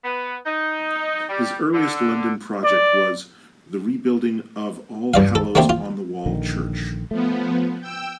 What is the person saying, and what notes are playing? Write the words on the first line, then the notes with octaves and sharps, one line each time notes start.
His earliest London project was the rebuilding of All Hallows-on-the-Wall Church.
B3
D#4
G3
D3
D5
G2 D5 F5
A4
A3 A#3 C4 D4 G4
F4
A#1 D3 D#3
F3 A3 B3
G5 E6